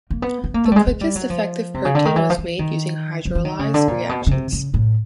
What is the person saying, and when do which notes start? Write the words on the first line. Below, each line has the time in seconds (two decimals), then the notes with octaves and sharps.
The quickest effective protein was made using hydrolyzed reactions.
0.10 A#3
0.22 B3
0.44 B3
0.54 A#3
0.65 A3
0.72 G3
0.76 G#3
0.87 G#3
1.01 G3
1.15 F#3
1.30 F3
1.74 C3
1.85 C#3
1.95 D3
2.05 D#3
2.16 E3
2.30 F3
2.38 E3
2.59 D#3
3.25 F3
3.35 E3
3.45 D#3
3.59 C#3
3.74 D3
3.88 A#2
4.09 B2
4.27 C#3
4.31 C3
4.52 C#3
4.74 A2